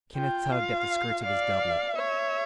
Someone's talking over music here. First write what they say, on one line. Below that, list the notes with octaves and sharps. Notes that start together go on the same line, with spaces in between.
Kenneth tugged at the skirts of his doublet.
F4 G5
F4 F5
D5 F5
C#5 E5